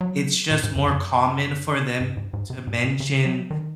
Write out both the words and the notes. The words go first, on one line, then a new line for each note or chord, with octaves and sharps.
it's, just, more common for them to mention
F#3
A#2
G#2
F#2
F#2
G#2
G#2
G#2
C3
G#2
A#2
C#3
F#3
D#3